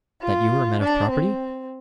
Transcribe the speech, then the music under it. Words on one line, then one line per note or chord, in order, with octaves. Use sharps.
'That you are a man of property?'
F4
D4
C4